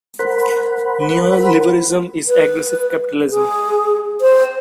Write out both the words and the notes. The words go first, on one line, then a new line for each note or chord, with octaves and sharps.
Neo-Liberalism is aggressive Capitalism.
A#4 C5 F#5 B5
B4
G#4
C5